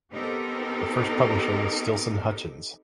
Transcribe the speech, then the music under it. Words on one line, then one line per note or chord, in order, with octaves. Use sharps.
The first publisher was Stilson Hutchins.
B3 C4 D#4 G4 A4 A#4